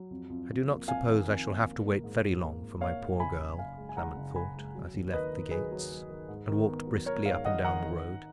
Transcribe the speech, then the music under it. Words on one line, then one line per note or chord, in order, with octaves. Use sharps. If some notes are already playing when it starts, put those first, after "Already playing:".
"I do not suppose I shall have to wait very long for my poor girl," Clement thought, as he left the gates, and walked briskly up and down the road.
Already playing: F#3
F2
F2
F2
A#3
F2 F5 G#5
D#3
F2
A#3
A#3
A#3
G#2
G#2
A#3
G#2
A#3 C#5 F5
G#2
F#1 G#5 B5
F#1
F#1 F5 G#5
G#3
G#5
G#3 F#5 A#5
F#1
F#1 G#5 B5
G#3
F#3
D#2
D#3 B4 D#5
D#3
F#3 G#4 B4
F#3
F#3
D#3
G#2
D#3
B3
F#3
D#3 A#4 C#5
G#2 C#5 F5
D#3 D#5 F#5
D#3 F#5 A#5
D#3
D#3